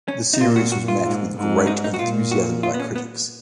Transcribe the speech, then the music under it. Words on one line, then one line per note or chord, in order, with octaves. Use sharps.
The series was met with great enthusiasm by critics.
C#4
D#4
A#2 F4
F#4
F#4
F4
G#2
G#2
D#4
D#4
F#4
A#2 F4
F#4
F4
B3
C#4
B3